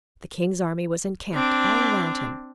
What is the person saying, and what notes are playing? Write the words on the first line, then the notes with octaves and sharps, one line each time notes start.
The king's army was encamped all around him.
C4 D4